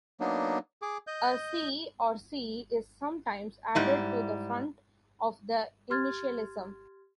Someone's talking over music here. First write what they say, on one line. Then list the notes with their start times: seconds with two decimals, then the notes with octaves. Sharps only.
A "c" or "C" is sometimes added to the front of the initialism.
0.20 F#3 A#3 B3 D4 D#4
0.82 G#4 D6
1.07 D#5 G6
3.75 G#2 G3 E4
5.90 G4 C6 F6 G#6 A6